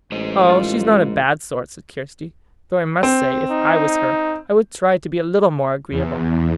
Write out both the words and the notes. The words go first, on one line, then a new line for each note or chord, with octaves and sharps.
"Oh! she's not a bad sort," said Kirsty; "though I must say, if I was her, I would try to be a little more agreeable."
A1 G#3 C5 D#5
F4
C4
D#4
E2